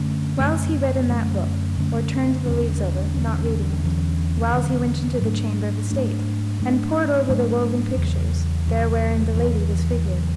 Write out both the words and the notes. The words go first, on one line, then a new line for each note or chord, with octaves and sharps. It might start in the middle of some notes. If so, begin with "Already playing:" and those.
Whiles he read in that book, or turned the leaves over, not reading it; whiles he went into the Chamber of Estate, and pored over the woven pictures there wherein the Lady was figured.
Already playing: F#2 D3 A3 C#4
F#2 D3 A3 C#4
F#2 D3 A3 C#4
F#2 D3 A3 C#4
E2 D3 F#3 C#4
E2 D3 F#3 C#4
E2 D3 F#3 C#4
E2 D3 F#3 C#4
G#2 F#3 A3 D4
G#2 F#3 A3 D4
G#2 F#3 A3 D4
G#2 F#3 A3 D4
E2 C#3 F#3
E2 C#3 F#3
E2 C#3 F#3
E2 C#3 F#3